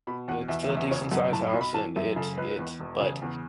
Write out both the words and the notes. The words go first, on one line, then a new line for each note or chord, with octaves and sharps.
it's a decent-sized house, and it it but
B2 B5
E2 F#5
E2 E5
E5
E1
E5
C#3 C#5
F#2 F#5
A2 A5
B5
B1
B5
E3 A5
F#2 E5
C#3 A4
C#2 B4
E2
E1
C#3
E2